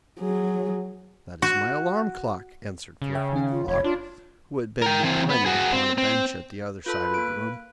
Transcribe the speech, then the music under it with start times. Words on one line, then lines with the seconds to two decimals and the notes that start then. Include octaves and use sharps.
"That is my alarm clock," answered Flippityflop, who had been reclining upon a bench at the other side of the room.
0.20 F#3 G#4
1.42 F#4
3.02 C#3
3.15 C#5 E5 G5
3.33 D#3 C#4
3.51 F4
3.68 F1 C#5 B5
3.84 D4 F4
4.82 A#4 G5
5.03 E3 C4
5.30 B3
5.46 F#4 G#4
5.73 C4
5.98 C4
6.86 F4 A4 B4 B5
7.14 A#3 D7